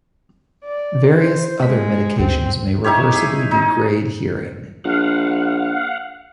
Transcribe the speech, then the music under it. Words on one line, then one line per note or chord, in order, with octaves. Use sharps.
Various other medications may reversibly degrade hearing.
D5
C5
G#3 B6
D2 C4
D#4 E4 G4 C#5
G#4
D#4
A#1 F5 F#5